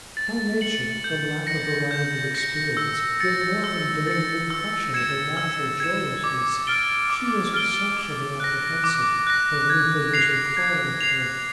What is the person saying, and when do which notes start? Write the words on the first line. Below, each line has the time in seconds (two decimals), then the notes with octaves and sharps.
By nature, from lack of variety of experience, yet more from daily repression of her natural joyousness, she was exceptionally apprehensive where anything was required of her.
0.17 A6
0.61 C#7 F#7
1.04 G6
1.47 A#6 C#7
1.91 G6
2.35 A#6 C#7
2.77 E6
3.20 A6 C#7
3.64 E6
4.07 A6 C#7
4.50 E6
4.94 G#6 C#7 E7
5.37 E6
5.80 G#6 C#7 E7
6.24 D6
6.67 F6 A6 D7 G7
7.10 D6
7.54 F6 A6 D7 G7
7.97 D6
8.40 F#6 A#6
8.84 D6
9.27 F#6 A#6
9.70 G#6
10.14 C7 F7
10.57 G#6
11.01 C7 F7